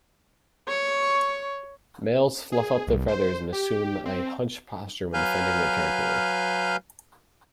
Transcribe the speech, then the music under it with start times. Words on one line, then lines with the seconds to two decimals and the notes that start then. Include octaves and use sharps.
Males fluff up their feathers and assume a hunched posture when defending their territory.
0.68 C#5 C#6
2.52 G#4
2.87 C2
3.08 C5
3.53 G4
4.05 C4
5.14 F#3 B4 F5 G#5 F6 G6